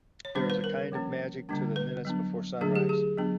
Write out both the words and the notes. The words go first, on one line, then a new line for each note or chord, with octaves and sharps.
There is a kind of magic to the minutes before sunrise.
C#5
D#3 G3 B3 D4 C5
B4
A#4
F3 A#3 C#4
D3 G3 A#3 D4
B4
F#3 B3 D4
D3 F#3 A3 D4 G#4
G4
G#4
F#3 B3 D4